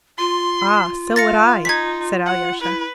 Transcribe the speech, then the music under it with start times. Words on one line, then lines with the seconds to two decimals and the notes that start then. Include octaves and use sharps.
"Ah, so would I," said Alyosha.
0.18 F4 C6
1.16 F5 A6 A#6 C#7
1.65 D#4 G#6 B6
2.26 F#5
2.62 E4 B4